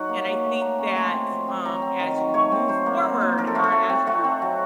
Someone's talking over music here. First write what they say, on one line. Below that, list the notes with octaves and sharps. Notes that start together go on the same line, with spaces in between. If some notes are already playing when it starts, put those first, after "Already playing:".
and I think that, um, as you move forward or as you
Already playing: F#3 D#4 F#5
A#3
F#3
A3
A#3 A#5
C#4
A3 C6
C4
F3
C4
F#3 A#5
C4
D#3
F#3
A3 C#5
C4
F#3 C5
A#3
A#3
D#4
F3 A#4
A4
A3 F#4
A4
A3
C4
A3 F#4
C4
F#3